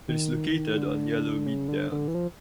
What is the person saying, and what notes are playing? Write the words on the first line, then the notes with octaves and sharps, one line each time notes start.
It is located on Yellowmead Down.
D#3
D3
C#3
D3
D3
E3
F3